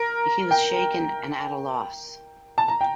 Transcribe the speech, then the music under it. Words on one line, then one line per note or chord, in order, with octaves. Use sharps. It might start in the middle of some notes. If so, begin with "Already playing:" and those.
He was shaken and at a loss.
Already playing: A#4
G5
A5
A#5
G5